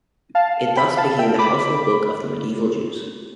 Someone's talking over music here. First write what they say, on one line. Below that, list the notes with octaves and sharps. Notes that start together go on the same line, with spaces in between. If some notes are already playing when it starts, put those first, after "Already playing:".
It thus became the household book of the medieval Jews.
F5 A5
G5 B5
F5 A5
E5 G5
B5 D6